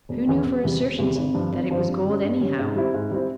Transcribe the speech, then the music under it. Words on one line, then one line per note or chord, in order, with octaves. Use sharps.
Who knew for a certainty that it was gold anyhow?
E1
E2 E3
E1
E2 C3 E3 G3
E1
E2 C3 E3 G3
G#1
G2 F3 C4 F4
G#1
G2 F3 C4 F4
G2
G3 C#4
G2
G3 C#4
G#2
G3 C4 E4
G#2
G3 C4 E4